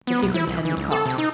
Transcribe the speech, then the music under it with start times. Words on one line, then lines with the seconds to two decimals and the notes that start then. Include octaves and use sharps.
The superintendent coughed.
0.07 B3
0.23 B1
0.34 E4
0.48 C2
0.65 E3
0.77 C#2
0.91 A4
1.06 C3
1.18 D#4